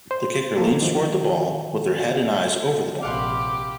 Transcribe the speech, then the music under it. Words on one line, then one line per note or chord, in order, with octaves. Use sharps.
The kicker leans toward the ball, with their head and eyes over the ball.
C5
F3 A#3 A4
D#3 F3
A#1 C3 G4 F5 F#5 B5 C6 D6